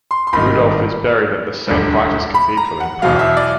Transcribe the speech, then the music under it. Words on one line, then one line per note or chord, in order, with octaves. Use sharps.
Rudolph is buried at the Saint Vitus Cathedral in Prague.
C6
C6
G#1 G2 D#3 B5
E1 D2 D3 G3
B5
A#5
F#5
E2 B2 F#3 F5
E5
D5